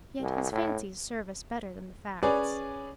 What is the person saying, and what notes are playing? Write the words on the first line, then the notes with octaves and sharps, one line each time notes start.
Yet his fancies serve us better than the facts.
C2
A2
C#4 G#4 B4 C#5 D5